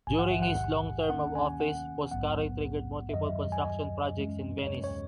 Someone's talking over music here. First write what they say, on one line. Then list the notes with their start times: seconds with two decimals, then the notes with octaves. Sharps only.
During his long term of office Foscari triggered multiple construction projects in Venice.
0.07 A#1 G#2 D#3 G#5
0.19 F#5
0.31 E5
0.42 F#5
1.09 D#2 D#3 A#3 C#4 F#5
1.35 G#5
1.60 F#5
2.12 A#1 G#2 F#3 B3 F#5
3.09 E5
3.14 F#2 D#3 F#3 D#5
3.26 E5
3.52 G#5
3.65 D#5
4.15 F#2 E3 G#3 C#4
4.67 C#5
4.84 C#5